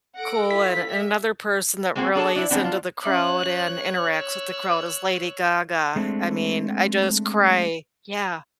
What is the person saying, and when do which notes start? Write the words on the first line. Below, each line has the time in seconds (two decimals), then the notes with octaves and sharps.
cool and and another person that really is into the crowd and interacts with the crowd is Lady Gaga, I mean, I just cry, yeah.
0.18 A4 F#5 A#6 D7
0.51 E4 F4 B6
0.88 G4 E5
1.95 G#3 A#3 C4 F#4 G#4
2.15 D4 G#4 A4 A5
2.36 D4 E4
2.50 E3 F3 B3 C4 D4
2.64 D4 F4
3.04 C#4 C#5 E5 D6 F#6
4.14 E6 F#6
5.96 G#3 A3 C4 D4